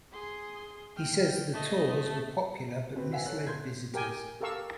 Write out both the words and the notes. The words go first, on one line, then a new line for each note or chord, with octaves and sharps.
He says the tours were popular but misled visitors.
G#4 C6
G5 F6
A3 D#5
C4 F#4 B4
E5 F#5 G#5
A4 C#5 F#6
C6 G6 G#6
G4 A#4 G5 G#5
G4 A4 A#4 F5 C#6 E6